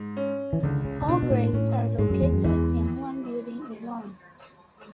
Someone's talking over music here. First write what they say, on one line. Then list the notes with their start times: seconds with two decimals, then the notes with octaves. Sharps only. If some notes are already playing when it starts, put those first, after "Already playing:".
All grades are located in one building in Laurens.
Already playing: G#2
0.17 C#4
0.53 E3
0.63 C#2 D3
0.85 C#3
1.02 C#3
1.08 B2 D4
1.23 B2
1.30 A2
1.53 A2 C#4
1.98 G#2 G#3
2.10 F#2
2.22 E2
2.33 F#2
2.44 E2 E3